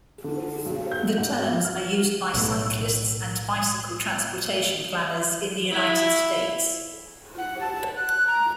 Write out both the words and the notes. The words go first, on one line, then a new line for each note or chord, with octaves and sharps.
The terms are used by cyclists and bicycle transportation planners in the United States.
D3
B1
G6
G#2
B2
F6
B1 A2
E4
F#5
A5
F#6
A#5